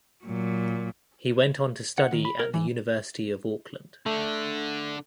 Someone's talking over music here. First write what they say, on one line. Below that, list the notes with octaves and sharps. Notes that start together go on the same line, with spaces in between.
He went on to study at the University of Auckland.
A#2 F#3
F#5
D#3
B5
A#4
E3
D3 A3